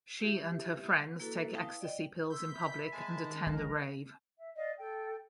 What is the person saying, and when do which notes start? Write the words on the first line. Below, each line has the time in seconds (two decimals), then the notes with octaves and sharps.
She and her friends take ecstasy pills in public and attend a rave.
0.20 E4 G4 E5
1.20 A#3 E4 F#4 A4 B4
1.53 E4 B4 F5 G5 A5 D#6
1.81 D5 D#5 G5
2.30 C6 E6 G6 B6
2.52 E5 B5
2.92 G#3 G#5 A5
3.24 D#3
3.46 F#1 C#2 F3 A#4 D#5 A#5
4.37 E5
4.56 D5 D#5 F5
4.78 A4 G5